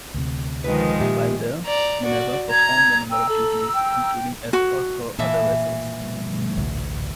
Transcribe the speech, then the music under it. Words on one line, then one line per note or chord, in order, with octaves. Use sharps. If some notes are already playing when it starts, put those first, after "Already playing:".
While there, "Minerva" performed a number of duties, including escort for other vessels.
D2 C3
D#3 F3 G#3 B4
A#2 G4 E5
D5 A#5
F#4 D5
A#5 G#6
G5 A#5 E6
A4
G5
F#4
A#2 E3 E5 A5
A1 D2